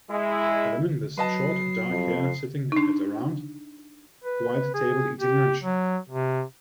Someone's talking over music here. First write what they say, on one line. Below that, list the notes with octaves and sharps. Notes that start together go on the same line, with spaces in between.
A woman with short, dark hair sitting at a round, white table eating lunch.
G#3 E4
F#3 B4 D#5 A5 C7
F2
D4 D#4
B4
G#4
G4
F#3
C3